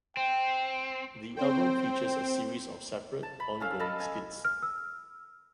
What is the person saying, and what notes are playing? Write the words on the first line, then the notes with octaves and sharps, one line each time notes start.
The album features a series of separate, ongoing skits.
C4 G5
C4 C5 G5
A5
B5
C#4 A4 F5
A4 D#5 A5 B5
G#5
F6
E6